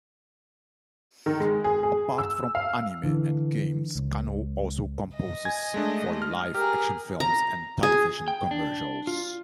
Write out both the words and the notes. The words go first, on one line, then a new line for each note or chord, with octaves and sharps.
Apart from anime and games, Kanno also composes for live-action films and television commercials.
D#3
G#3
G#4
G#4
E6
F5
D3 E3
C#2
D#5
G#5 G#6
G#3 A3 D4
F6
G4 G#4 A#4 F6
A#5
G#4
G5
D4
F4